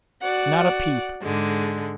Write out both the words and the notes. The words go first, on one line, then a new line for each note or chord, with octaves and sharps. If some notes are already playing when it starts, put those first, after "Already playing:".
Not a peep.
F#4 D5 F#5
G#2 D3 G#3